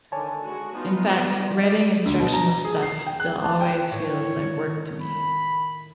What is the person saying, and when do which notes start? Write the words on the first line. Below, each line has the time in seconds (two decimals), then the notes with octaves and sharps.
In fact, writing instructional stuff still always feels like work to m.
0.12 D3 D#3 C#5 G#5 A5
0.41 G#3 F#4
0.74 B3 D#4 F4
1.25 G3 D5
1.61 D5 D#5
2.05 D2
2.20 B2
2.34 A#5
2.65 G#4
2.82 C7
3.07 G5
3.20 F#6
3.44 A5
3.61 G5
3.92 A2 D#3 C#5
5.02 B5